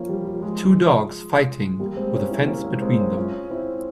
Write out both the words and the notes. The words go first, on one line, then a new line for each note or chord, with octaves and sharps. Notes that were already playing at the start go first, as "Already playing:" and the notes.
Two dogs fighting with a fence between them.
Already playing: F3 A#3 C#4
G3
F3
F3 G#3
G3 A#3
G#3 C4
A#3 C#4
C4 E4
A#3 C#4
G#3 C4
G#3 C4
A#3 C#4
C#4 F4
C4 E4